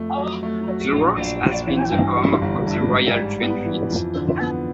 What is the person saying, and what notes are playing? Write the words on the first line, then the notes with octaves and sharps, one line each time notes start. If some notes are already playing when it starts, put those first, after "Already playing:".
The Works has been the home of the Royal Train fleet.
Already playing: F2 A3
F#3
A3
F#3
A#1
A#1
A#1
E3
G2
G3
G1
G2
G#2
G3
B3
E3
F2
D3
B3